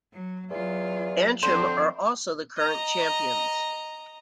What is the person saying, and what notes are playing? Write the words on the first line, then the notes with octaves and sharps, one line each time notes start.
Antrim are also the current champions.
F#3
E2 F#3 F4
D3 F3 C4 C5
D#5 A#5